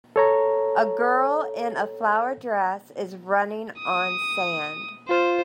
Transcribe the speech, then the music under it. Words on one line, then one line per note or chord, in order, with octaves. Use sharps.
A girl in a flower dress is running on sand.
A4 C#5 A#5
D#6
F4 C5